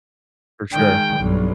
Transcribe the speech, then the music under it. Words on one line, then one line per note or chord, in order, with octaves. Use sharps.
For sure.
D#3 G#3 G5
B1 G2